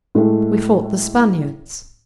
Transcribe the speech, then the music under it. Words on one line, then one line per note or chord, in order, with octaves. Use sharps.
We fought the Spaniards.
A2 G#3 A3